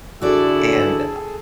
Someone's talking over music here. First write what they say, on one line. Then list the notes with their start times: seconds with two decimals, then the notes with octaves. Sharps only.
And, uh,
0.21 D3 E4 F#4 G#4 A4 D5